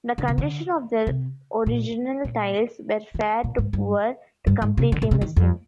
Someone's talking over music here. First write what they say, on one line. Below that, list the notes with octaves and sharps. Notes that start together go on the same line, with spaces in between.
The condition of the original tiles were fair to poor to completely missing.
D3
C3
D3
C3
A#2
A#2
D3
A#2
G#2
G2
G2
G#2
C3
D3
A#2
C3
D#3
F2